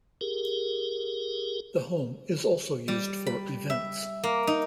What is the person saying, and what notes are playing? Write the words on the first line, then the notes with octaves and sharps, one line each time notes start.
The home is also used for events.
G4 G#4 A#4
G3
B5
E5
A#3
D#4